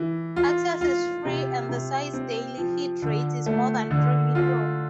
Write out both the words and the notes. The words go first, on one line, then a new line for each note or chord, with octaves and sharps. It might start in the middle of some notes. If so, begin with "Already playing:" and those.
Access is free and the site's daily hit rate is more than three million.
Already playing: E3
F4
F4
C3
C3
C4
F3
D3
A3
D3
F4